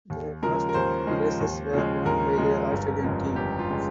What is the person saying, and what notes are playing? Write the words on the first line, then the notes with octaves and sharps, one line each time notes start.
The first two races were won by the Australian team.
D#2
C#3 F3 G#3 A#4
A#4
D#2 C5
C#3 F3 G#3
D#2
C#3 F3 G#3
D#2 A#4
C#3 F3 G#3
G1
F2 C#3 G#3
G1 G4
F4
C#3 G#3